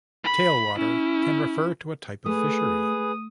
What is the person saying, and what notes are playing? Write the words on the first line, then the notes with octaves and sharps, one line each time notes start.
Tailwater can refer to a type of fishery.
B5
C#4 E4
A3 G#4 B4 D#6